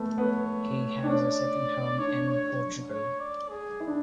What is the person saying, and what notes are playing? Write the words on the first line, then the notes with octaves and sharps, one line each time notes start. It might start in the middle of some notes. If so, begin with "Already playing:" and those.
He has a second home in Portugal.
Already playing: A3 B3
B3 C#5
D4
C#4 D5
D4 C#5
C#5
C#5
D5
G#4
E4
D4